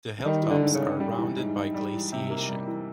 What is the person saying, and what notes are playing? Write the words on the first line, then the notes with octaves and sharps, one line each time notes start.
The hilltops are rounded by glaciation.
D#3 G3
E3
D3
G#2
C#3
G#2
G3
E3
G#2
G#2
G3
E3
C3
A#3
G3
E3